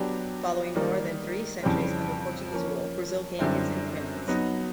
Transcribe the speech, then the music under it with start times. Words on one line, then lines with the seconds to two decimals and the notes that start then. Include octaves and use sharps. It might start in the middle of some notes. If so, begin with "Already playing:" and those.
Following more than three centuries under Portuguese rule, Brazil gained its independence.
Already playing: F#3 B3 D4 G4
0.75 D#3 G3 A#3 D#4
1.63 F2 C#3 E3 G3 C4
2.51 F3 A#3 C#4
3.39 F#2 D3 G3 C4 E4
4.27 F#3 B3 D#4 F#4